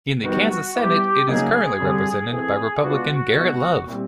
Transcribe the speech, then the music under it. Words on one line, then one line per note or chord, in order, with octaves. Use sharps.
In the Kansas Senate it is currently represented by Republican Garrett Love.
D#3 G3 B3 F#4
G3 B3 E4 G4
C#3 F#3 A#3 D#4 G#4
D3 G3 C4
E3 A3 C4 G#4
G#3 B3 D4 F4 F#4
B2 G#3 B3 D#4
A#2 G3 C4 E4